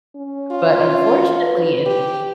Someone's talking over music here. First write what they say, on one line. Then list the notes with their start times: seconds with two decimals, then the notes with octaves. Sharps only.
but unfortunately in
0.16 C#4
0.51 F4
1.43 B4
1.86 G4